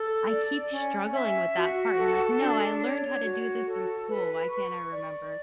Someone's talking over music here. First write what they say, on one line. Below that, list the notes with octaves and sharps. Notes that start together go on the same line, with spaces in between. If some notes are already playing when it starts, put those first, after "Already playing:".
I keep struggling with that part, and I'm like, "No. I learned how to do this in school. Why can't I remember?"
Already playing: A4
D5
C#4
E5
F#4
A4
D4
C#5
F#4
A4
B4
C#6
D5